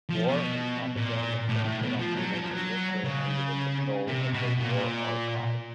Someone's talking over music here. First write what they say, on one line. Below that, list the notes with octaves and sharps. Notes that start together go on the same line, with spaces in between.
War and propaganda film production was initially under the control of the war archive.
F3
B2
A#2
A2
A2
B2
F3
F#3
F3
F3
F#3
C#3
C3
B2
A#2